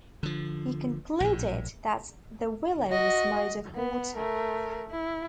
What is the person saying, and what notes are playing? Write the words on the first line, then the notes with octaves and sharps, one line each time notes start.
He concluded that the willow was made of water.
D3 F3
A#1 A2
F#4 D#5
B3
A3 A#4
E4